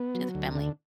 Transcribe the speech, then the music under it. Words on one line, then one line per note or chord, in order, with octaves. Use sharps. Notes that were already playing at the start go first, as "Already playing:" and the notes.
to the family.
Already playing: B3
F#3
D2
D3